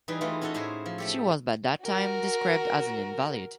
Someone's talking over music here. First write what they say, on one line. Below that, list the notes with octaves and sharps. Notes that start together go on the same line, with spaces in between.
She was by that time described as an invalid.
E3 G3 D#4 E4 G#4
E3 A3 F4 D#5
C#4 D#4 F#4 A4 D#5
A2 C#4 E4 G#4 C5 G#5
F3
A3 G4 A4
F#4 A#4